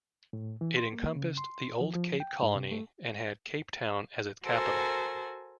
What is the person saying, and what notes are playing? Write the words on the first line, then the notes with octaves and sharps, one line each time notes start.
It encompassed the old Cape Colony, and had Cape Town as its capital.
A2
E3
C6
A#3
C#3
C6
F3
F3
G5
G#2
C3
A3
F#4 A4 A#4 C5 G#5